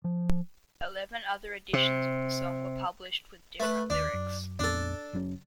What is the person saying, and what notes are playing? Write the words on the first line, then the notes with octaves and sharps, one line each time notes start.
Eleven other editions of the song were published with different lyrics.
F3
C3
A3 B4
D#2 D4
F#2
A#1 F2 B3 D4 A4
F#1 F#3 C#4